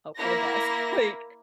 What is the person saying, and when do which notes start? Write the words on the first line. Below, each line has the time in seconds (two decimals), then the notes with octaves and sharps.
hope for the best. Like,
0.17 A#3 E4 A#6